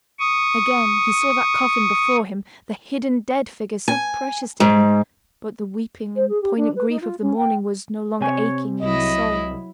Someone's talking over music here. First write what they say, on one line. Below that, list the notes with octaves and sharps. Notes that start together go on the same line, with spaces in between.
Again he saw that coffin before him, the hidden dead figure so precious to him, but the weeping and poignant grief of the morning was no longer aching in his soul.
C#6 D#6
G#5
G#2
C5
G#4
G4
D4
B4
D#4
F4
C#4
G5
C3 C#5 G#5
C2 F#3 E4 D#5